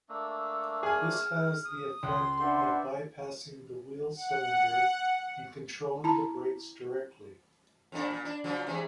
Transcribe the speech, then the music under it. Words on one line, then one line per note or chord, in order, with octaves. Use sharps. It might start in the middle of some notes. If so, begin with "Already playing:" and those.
This has the effect of bypassing the wheel cylinder and controlling the brakes directly.
A3 A#3 D4 E6
G#4 G#5 F6
D#6
C#2 C6
D4 B4 C5 D5 E5 F#5
F#5
E4 A5 A#5
F2 A#2 D4
A#2
D4
C#3 F3 F#3
C3 E3 G#3